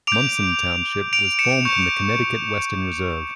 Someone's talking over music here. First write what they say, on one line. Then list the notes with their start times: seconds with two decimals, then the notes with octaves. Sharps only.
Munson Township was formed from the Connecticut Western Reserve.
0.07 D6 G6 D7 F7
1.13 D7 F7
1.39 C#7 E7
1.65 C#6 G6